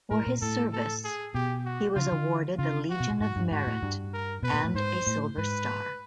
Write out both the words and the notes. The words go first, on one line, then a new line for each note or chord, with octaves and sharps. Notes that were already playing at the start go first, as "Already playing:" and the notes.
For his service, he was awarded the Legion of Merit and a Silver Star.
A2 A#4
A#2
A2 A4
A4
G#4
B2 G4
F#4
C#3 F4
D3
C#3 F4
F#4
B2
A#2
G#2 F#4
G2
G#2 F#4
A2
G2
A#4
B2 B4
A#2
A2
G#2 C5
A2
G#2 B4